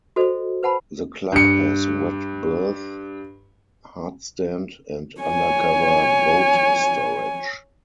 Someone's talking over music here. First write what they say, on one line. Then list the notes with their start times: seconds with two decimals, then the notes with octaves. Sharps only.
The club has wet berth, hardstand and undercover boat storage.
0.16 F#4 A4 C5 D#5
0.63 B4 C5 F#5 A5 B5
1.32 G2 C#7
5.21 C#5 G#5